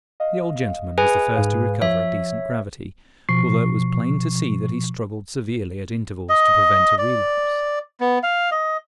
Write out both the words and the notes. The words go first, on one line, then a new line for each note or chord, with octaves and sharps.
The old gentleman was the first to recover a decent gravity, although it was plain to see that he struggled severely at intervals to prevent a relapse.
D#5 F5
G#4 B4 G#5
G#2 F5
F3 C#5 E5
B2 F3 C#6 C7
D#5
D5
B3
F5
D#5